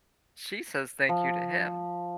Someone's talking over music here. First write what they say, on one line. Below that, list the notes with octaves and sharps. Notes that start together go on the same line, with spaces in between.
she says "Thank you" to him,
F3